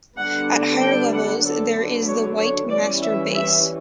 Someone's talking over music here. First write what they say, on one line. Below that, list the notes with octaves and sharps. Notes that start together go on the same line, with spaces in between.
At higher levels, there is the white master base.
D3 G3 B3 D4 F#5
G5
F#5
D3 F#3 B3 D4 A4
C#5
C#5
E3 G3 C#4 D5
E5
E5